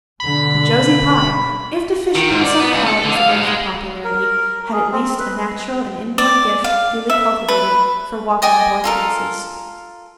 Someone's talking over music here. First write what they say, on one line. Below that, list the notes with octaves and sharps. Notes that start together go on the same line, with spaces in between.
But Josie Pye, if deficient in some qualities that make for popularity, had at least a natural and inborn gift, duly cultivated, for walking board fences.
B2 D3 B5
D#3
G#2
D5
B3
C#2
A4
D3
F5
G#2
G#3
A#4
G#4
C4
B4
D5
F5
E5
B4
D5 D#5 G5 G#5
F4 A4 A#4